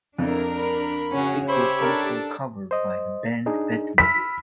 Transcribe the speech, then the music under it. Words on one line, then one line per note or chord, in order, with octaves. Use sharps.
It was also covered by the band Batmobile.
F2 D4 E4 A#4
B5
C#3 C#4 F#4 G#4 C#5
G4 C5 C#5 E5 B5
D4 A4 A#4
C5 D#5
D4 D#4 G#4
B5 E6 F6 B6